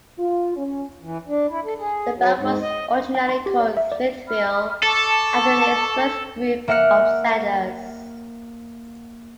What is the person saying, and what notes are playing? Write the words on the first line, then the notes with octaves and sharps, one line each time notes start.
The borough was originally called "Smithville," after its first group of settlers.
F4
C#4
E3
D4
E4
A4
G#4
F#3
G#2
D#5
G5
C6
G4
D5
E5
D5
B5 F6
A4 A5 C#6 D6
A#3 E5 F#5 F6 C#7